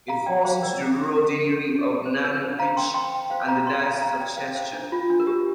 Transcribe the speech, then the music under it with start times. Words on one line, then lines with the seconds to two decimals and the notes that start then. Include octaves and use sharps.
It falls into the rural deanery of Nantwich and the diocese of Chester.
0.08 F5 A#5
0.26 D5 G5
0.45 C5 F5
0.63 A#4 D5
2.06 C5
2.24 A#4
2.42 C5
2.59 F5 A#5
2.77 G5 C6
2.94 G5 C6
3.30 C5 F5
3.48 F5 A#5
3.66 G5 C6
3.84 F5 A#5
4.02 F5 A#5
4.20 D5 G5
4.37 C5 F5
4.55 C5 F5
4.73 D4
4.92 F4
5.10 D4
5.20 A#4
5.27 G4